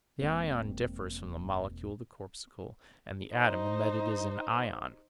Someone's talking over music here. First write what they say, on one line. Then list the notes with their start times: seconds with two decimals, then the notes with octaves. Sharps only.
The ion differs from the molecule, the corpuscle and the atom in that it is an ion.
0.21 E1 G#3 A#3 C4
3.35 D#4 C5